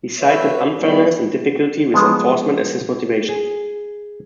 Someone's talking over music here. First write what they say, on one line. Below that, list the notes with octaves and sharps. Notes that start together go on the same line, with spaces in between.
He cited unfairness and difficulty with enforcement as his motivations.
F#4 B4 C#5 E5
G3 G#3 B3 E4 F#4
F3 F#3 G#3 B3
G#4